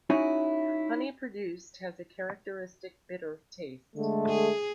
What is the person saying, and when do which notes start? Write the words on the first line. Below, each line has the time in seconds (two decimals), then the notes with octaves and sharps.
Honey produced has a characteristic bitter taste.
0.10 C#4 D#4 E4 F#4 C#5 G#5
3.96 D3 G#3 A3
4.29 G#4